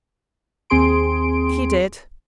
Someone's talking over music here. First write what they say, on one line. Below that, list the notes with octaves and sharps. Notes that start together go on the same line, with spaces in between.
"He did."
D#2 C4 G#4 C6 D7